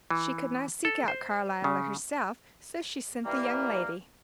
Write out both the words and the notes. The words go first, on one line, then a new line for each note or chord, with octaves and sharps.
She could not seek out Carlyle herself, so she sent the young lady.
E3
A4
C5
C#3
E3 G3 A#3